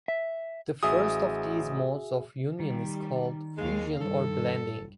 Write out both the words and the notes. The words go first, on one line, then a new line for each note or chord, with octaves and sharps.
The first of these modes of union is called fusion or blending.
E5
A1 F#4 G#4 E5 D#6
D#3 G3
D#2 G#3 F5
G2 A4